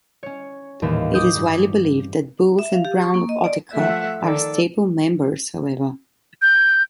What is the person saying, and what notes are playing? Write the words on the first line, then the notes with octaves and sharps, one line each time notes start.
It is widely believed that Booth and Brown of Autechre are staple members, however.
C#4 C#5
D#1 D#2 A2 E3 E5 F5
D6 D#6 G6
G2
E5
F5
G4
C#6
A#3
D#5
D5
F3 A3 E5 F#5
D#3 A4 D5
G6